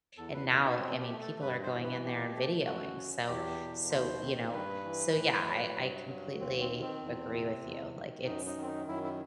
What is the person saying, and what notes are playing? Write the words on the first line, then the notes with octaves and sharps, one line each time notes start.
and now, I mean, people are going in there and videoing, so so, you know so, yeah, I I completely agree with you, like, it's
E2 A4
B4
B2 A4
D#4
B3
B2 C4
G4
A3
A4
G2 B4
C5
E3
B4
B2 G4
A3
F#2 F#4
F#3
E2 G4
B2
D#2 C5
D#3
G2 B4
E3
A2
F#3
G2
F#3
D#2 C4
C4
D#3
C4
E2
C3
E2
D#3
F#2 D#4
D#4
D#3
C4
D#4
F#2 E4
E4